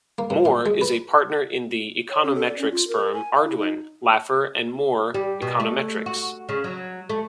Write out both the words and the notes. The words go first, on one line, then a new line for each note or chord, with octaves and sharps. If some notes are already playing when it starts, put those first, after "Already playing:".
Moore is a partner in the econometrics firm Arduin, Laffer and Moore Econometrics.
A#3
G2
A#2
G#3
B4
C#5
C#4
A4
D5
C#4
F4
A#4
G#5
F5
E4
D#4
G3
B2
A3
F#4
C#3
F#3
A3